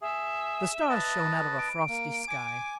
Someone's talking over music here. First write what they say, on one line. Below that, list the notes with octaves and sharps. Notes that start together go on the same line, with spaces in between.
The stars shone out of a frosty sky.
G#4 E5
B4 D#5 A5
D7
A#3
G#5 D6